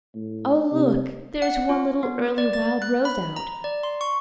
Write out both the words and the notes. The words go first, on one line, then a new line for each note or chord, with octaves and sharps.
Oh, look, there's one little early wild rose out!
A2
C3
F#5
F4
B3
D5
A6
F#6
B5
A#5
D5
C6
C#6